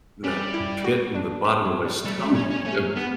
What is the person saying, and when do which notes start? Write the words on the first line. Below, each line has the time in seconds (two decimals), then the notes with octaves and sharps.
that pit in the bottom of my stomach and,
0.24 G3 C#4
0.54 E4
0.84 F#4
1.15 D4
1.45 C#4
1.65 F#3
1.85 G3
2.05 G3 A3
2.18 F#3 A3
2.31 G3 C#4
2.51 C#4
2.65 A3 C#4
2.86 F#3
2.96 B3